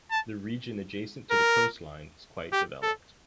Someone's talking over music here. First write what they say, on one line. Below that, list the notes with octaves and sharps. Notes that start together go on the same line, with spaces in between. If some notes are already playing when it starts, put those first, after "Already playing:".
The region adjacent to the coastline is quite developed.
A5
A#4
G4
A4